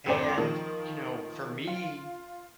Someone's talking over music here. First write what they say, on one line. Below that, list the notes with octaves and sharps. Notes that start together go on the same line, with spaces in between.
and, you know, for me,
G#1 F2 C4 C5 D5 G5
D#3 F3
F4